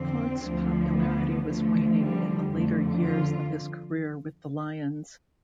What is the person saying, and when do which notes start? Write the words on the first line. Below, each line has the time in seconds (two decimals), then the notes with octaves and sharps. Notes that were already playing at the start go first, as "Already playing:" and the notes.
Fontes popularity was waning in the later years of his career with the Lions.
Already playing: F2 D3 F3 C4
0.42 D2 D3 F3
0.94 B3
1.46 D2 D3 F3 A3
2.00 G3
2.51 F2 D3 F3 A3
3.05 F4